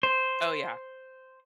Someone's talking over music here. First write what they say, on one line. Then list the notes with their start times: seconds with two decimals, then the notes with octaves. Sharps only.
Oh, yeah.
0.03 C5